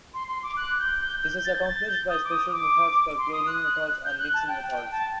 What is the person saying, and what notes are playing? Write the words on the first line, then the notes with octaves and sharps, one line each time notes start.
This is accomplished by special methods called "cloning" methods and "mixin" methods.
C6
C6
D6
F#6
G6
G6
G6
A6
G6
A6
G6
D#6
D6
D#6
D6
C6
D#6
F#6
G6
F#6
A5
G5
G5
A5